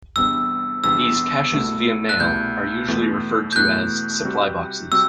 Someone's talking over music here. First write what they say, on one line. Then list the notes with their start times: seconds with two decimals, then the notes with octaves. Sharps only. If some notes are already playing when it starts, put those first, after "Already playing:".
These caches-via-mail are usually referred to as "supply boxes".
0.16 E2 C3 G3 B3 D4 E6
0.84 E2 C3 G3 B3 D4 E6
1.52 C2 B2 A3 E4
2.09 F#6
2.20 C2 B2 A3 E4 G6
2.88 E2 B2 A3 E4 B4
3.53 G6
3.56 E2 B2 A3 E4 B4 F#6
4.24 C3 G3 C4 F#4
4.92 C3 G3 C4 F#4 E6